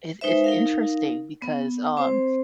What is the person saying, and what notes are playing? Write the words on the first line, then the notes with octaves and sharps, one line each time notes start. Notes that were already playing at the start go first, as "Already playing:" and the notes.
it's it's interesting because, um,
G#3 D#4 B4 C5 E5
D#4 A#4 F5
B3
C4 C5